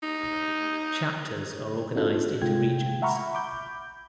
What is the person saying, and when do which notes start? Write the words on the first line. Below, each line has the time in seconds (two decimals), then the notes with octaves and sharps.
Chapters are organized into regions.
0.03 D#4
1.95 C4 D4 D#4 F4 F#4 A4
2.42 C3 G#3 F4 G5 G#6
3.02 E5 F#5 A#5 B5 C#6 F6
3.34 B5 D6 G6